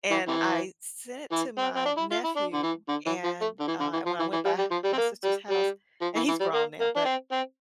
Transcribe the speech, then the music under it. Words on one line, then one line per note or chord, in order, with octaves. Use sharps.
And I sent it to my nephew, and, uh, and when I went by my sister's house- and he's grown now- but
E3
C3 E3
E3
C4
C4
D4
E4
F4
E4
D4
D3
E3
D3
E3
F3
A3
D3
E3
D3
E3
F3
E3
E3
G3
G3
F3
G3
C4
A#3
G3
G3
F3
E3
E3
G3
A#3
A#3
D4
C4
C4